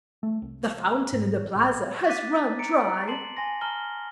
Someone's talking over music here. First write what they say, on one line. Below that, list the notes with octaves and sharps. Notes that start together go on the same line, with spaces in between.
The fountain in the plaza has run dry.
A3
C2
G#2
A1
D6 F#6 A6 B6 D#7
A#5 C#7 D7
A5 C6 C7 F#7
G#5 C6 A#6
A5 A#5 F6 G7